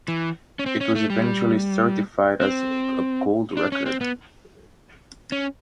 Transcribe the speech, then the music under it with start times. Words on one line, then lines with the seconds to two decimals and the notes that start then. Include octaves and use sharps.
It was eventually certified as a gold record.
0.08 E3
0.59 C#4
0.66 C4
0.81 C#4
0.95 A3
1.10 G3
2.41 C4
3.57 D4
3.72 C#4
3.86 C4
4.01 B3
5.32 C#4